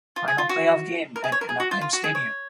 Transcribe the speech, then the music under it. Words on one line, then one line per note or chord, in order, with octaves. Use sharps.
Final playoff game at Anaheim Stadium.
F4
G#4
F4
F#4
A#4
G#4
C#5
A#4
G#4
F#4
F4
F4
F#4
G#4
C#5